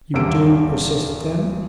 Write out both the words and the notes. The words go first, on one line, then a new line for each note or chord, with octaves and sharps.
"You do persist, then?"
D#1 E2 G2 D3 E6 D7